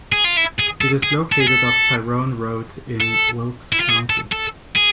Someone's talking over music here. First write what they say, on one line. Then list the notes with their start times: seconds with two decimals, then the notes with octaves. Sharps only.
It is located off Tyrone Road in Wilkes County.
0.12 G#4
0.25 F4
0.37 E4
0.60 G#4
0.81 A4
1.03 G#4
1.32 A4
1.40 G#4
1.47 A4
3.01 A4
3.73 E4
3.80 F4
3.89 G#4
4.10 A4
4.32 A4
4.76 G#4